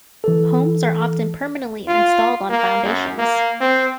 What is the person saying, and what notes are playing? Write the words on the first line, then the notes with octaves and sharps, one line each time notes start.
Homes are often permanently installed on foundations.
E3 A4
F4
A#3
F#2
A#3
C4